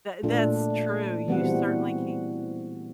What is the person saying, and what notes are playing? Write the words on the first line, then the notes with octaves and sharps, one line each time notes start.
Tha that's true, you certainly ca
A#2 A3 D4 F4 A4
E3 G3 B3 C4 F#4 F#5